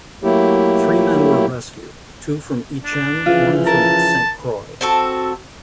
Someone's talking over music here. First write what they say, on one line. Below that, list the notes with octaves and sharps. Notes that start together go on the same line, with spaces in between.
Three men were rescued, two from "Itchen", one from "Saint Croix".
F#3 A3 A#3 E4 G4
D4
C#3 E3 F3 F4
A#4 A5
C4 F#4 A4